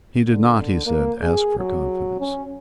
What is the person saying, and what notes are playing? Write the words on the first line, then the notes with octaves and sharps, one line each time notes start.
He did not, he said, ask for confidence.
D3
A#3
G#4
F#3
C#4